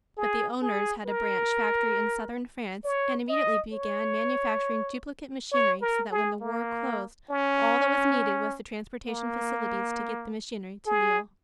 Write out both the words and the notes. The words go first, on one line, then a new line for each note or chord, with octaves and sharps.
But the owners had a branch factory in southern France and immediately began manufacturing duplicate machinery so that when the war closed all that was needed was the transportation facilities to get the machinery to Lille.
G#4
G#4
A#4
C#5
D#5
C#5
C#5
A#4
G#4
A#3
C#4
A#3
G#4